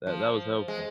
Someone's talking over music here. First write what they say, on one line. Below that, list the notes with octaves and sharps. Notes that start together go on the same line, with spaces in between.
That that was helpful.
F3
G#3